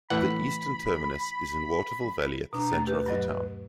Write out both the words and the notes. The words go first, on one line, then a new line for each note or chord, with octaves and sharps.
The eastern terminus is in Waterville Valley at the center of the town.
A2 E3 F#5 B5
B2 D4 B4 A#5
D#2 A3 A6
G4 B4
G2 F#3 D#5